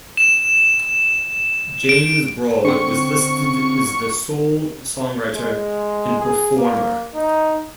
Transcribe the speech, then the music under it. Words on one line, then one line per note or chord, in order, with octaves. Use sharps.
James Broad was listed as the sole songwriter and performer.
E7
D7
D3 C4 C#6
G#3
G#4
A#3
D#4